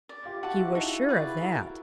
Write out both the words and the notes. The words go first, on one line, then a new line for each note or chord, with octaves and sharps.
He was sure of that.
D5
F4 G4
E4 F#4 F#5 A5 D6
E4 F#4
G#4
D#4 F4 G4
E4 F#4 G#4 B4 D5
E4 F#4 A#4